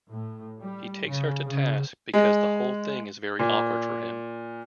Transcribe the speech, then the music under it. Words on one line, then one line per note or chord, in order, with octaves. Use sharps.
He takes her to task because the whole thing is very awkward for him.
A2
G3
C#3
C#3
G#3
A#2